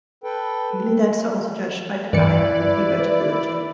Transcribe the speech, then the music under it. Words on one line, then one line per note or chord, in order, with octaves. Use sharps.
Newly dead souls are judged by Degei, and a few go to Burotu.
A4 B4 G5
G2 E3 E4 B4 D5 C#7